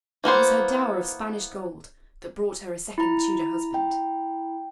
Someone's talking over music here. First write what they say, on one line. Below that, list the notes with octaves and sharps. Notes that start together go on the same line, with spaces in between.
It was her dower of Spanish gold that brought her a second Tudor husband.
E3 A#3 B3 C5
E4 A#5
G5